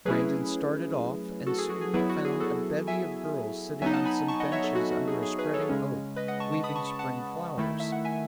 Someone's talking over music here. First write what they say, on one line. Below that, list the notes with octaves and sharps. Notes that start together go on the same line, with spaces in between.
Brandon started off and soon found a bevy of girls sitting on some benches under a spreading oak, weaving spring flowers.
F#3 A3 C#4 E4 G#4 B4
F#4 A4
G#4
F#4
G#4
F#3 B3 E4 G#4 B4
F#4
G#4
F#4 A4
E5 G#5
F#3 B3 D#4 E5 G#5
F#5 A5
G#5 B5
A5 C#6
D#5 F#5
C#5 E5
A4 C#5
F#4
F#4
G#4
G#4
G#4 B4
A4 C#5
C#3 G#3 C#4
B4 D#5
D#5 F#5
A5 C#6
A5 C#6
B5 D#6
A5 C#6
A5 C#6
F#5 A5
D#3 A3 E4
E5
F#5
E5 G#5